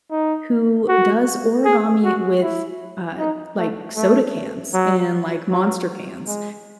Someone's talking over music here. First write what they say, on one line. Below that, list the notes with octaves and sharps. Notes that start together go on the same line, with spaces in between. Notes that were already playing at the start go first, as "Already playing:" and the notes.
who does origami with, uh, like, soda cans and, like, Monster cans
D#4
F#4
G#4
F#4
E4
D#4
A3
A3
F#3
F#3
G#3